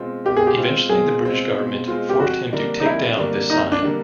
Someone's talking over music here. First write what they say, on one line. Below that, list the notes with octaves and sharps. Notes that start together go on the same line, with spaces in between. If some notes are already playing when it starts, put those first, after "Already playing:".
Eventually the British government forced him to take down this sign.
Already playing: B2 G#3 C4 F4
B2 G4
G#4
G4
G#3 C4 F4
B2 G#4
G#3 C4 F4
B2
G#3 C4 F4
G4
F2 F#4
D3 G3 A#3 D4
D#4
F2 E4
D3 G3 A#3 D4
F2 D#4
D4
D3 G3 A#3 D4